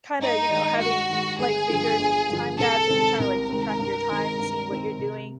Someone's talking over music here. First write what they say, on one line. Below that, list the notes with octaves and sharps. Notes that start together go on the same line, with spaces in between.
kinda, you know, having, like, bigger maybe time gaps, if you're trying to, like, keep track of your time and seeing what you're doing
G2 D#4
D#3 G#3
G2 F#4
D#3 G#3
G1 G#4
G2 D3 F3
G1
G2 D3 F3
C2 A4
C3 D#3 G#3 C4
C2 A#4
C3 D#3 G#3 C4
G2
D#3 G#3 C4
G2
D#3 G#3 C4
C3